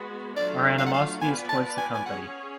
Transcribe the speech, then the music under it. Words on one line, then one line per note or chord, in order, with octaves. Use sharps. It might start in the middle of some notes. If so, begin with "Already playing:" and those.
Our animosity is towards the company.
Already playing: G#3 B3 F#4
F#3 A3 D4 F4 D5
F5
F#5
F5
B3 F4 B4 D5 G#5
A5
G#5
G#5
C#4 G#4 C#5 F#5